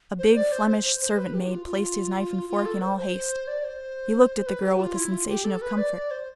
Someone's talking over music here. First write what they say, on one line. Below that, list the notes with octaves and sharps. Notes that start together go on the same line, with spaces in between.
A big Flemish servant-maid placed his knife and fork in all haste; he looked at the girl with a sensation of comfort.
C5
D5
C5
C5
C5
C5
B4
G4
E4
F4
F4
F4
A4
C5
C5
D5
C5
B4
G4
F4
E4
F4
G4
A4
B4
D5
D5
C5